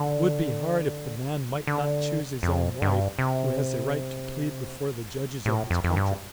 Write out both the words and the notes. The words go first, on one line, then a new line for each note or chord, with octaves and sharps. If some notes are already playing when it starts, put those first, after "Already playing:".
It would be hard if the man might not choose his own wife, who has a right to plead before the Judges of his country.
Already playing: D3
D3
F2
G2
C3
A2
F2
F2
G2